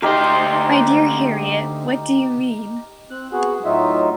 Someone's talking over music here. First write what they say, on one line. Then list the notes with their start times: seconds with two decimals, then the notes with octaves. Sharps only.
My dear Harriet, what do you mean?
0.02 D2 D#4 G4 A#4 C5
3.11 C4 F#6
3.32 B3 F#4 G#4
3.65 A2 F#3 D#4 F4 E5